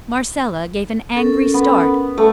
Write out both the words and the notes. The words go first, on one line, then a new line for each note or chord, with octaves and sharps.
Marcella gave an angry start.
C#4 A4 A#4
B3
A3